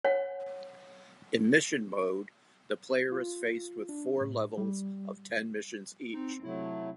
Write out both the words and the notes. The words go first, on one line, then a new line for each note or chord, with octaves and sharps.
In Mission Mode, the player is faced with four levels of ten missions each.
C#5 F#5
F4
D4
A2
G3
C4 D#4
C3 F#3 A3 E4